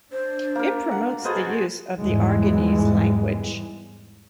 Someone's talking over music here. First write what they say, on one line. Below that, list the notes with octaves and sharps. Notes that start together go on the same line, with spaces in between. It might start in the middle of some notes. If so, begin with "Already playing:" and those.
It promotes the use of the Aragonese language.
D4 C5
A#3 A#4
F#5 A#5
F#4 G#4 A4 B4 C5 D#5
E2 G#2 E3 G3 G#3